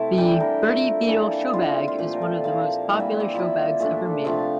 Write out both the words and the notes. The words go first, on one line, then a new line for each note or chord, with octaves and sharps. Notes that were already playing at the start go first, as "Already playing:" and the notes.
The 'Bertie Beetle Showbag' is one of the most popular showbags ever made.
Already playing: C3 A3 E4 A5
E3 G3 D4 G5
A#4
F3 A3 E4
E3 A#3 D4 A4
F3 C4 E4 F4
F4
A#2 F3 A3 G4
A#4
A4
F3 A#3 E4 F5
E3 G3 A#3 E5
D5
C5
D5
F3 A#3 E4 E5
A#2 A3 D4
C3 F3 A3 F5